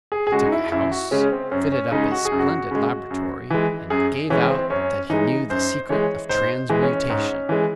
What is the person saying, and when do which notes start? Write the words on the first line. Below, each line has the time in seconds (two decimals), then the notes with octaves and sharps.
He took a house, fitted up a splendid laboratory, and gave out that he knew the secret of transmutation.
0.12 G#4
0.27 G#4
0.32 C#3 G#3 F#4
0.46 D#4
0.52 E4
0.72 F#2 E4
0.91 F#4
1.11 C#3 G#3 C#4
1.32 C4
1.51 F#2 C#4
1.72 C#4
1.92 C#3 G#3 D#4
2.11 F#4
2.25 G#4
2.32 F#2
2.39 F#4
2.71 C#3 G#3
3.11 F#2
3.50 E3 G#3
3.90 F#2 G#4
4.30 E3 G#3 C#4
4.50 C4
4.70 F#2 C#4
5.10 E3 G#3 D#4
5.50 F#2 C5
5.89 E3 G#3 C#5
6.29 G#2 C5
6.69 E3 G#3
6.82 C#4
7.10 G#2
7.49 E3 G#3